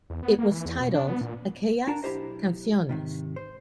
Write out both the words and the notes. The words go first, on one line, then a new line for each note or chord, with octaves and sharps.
It was titled Aquellas Canciones!
E2
B3
A#3
E3
E2
B2
D4
B3
A#2
D4 F#4 A#4 A5 A#5
B1 E4 G4 C5 D#5
G#2 C3 D#3
C5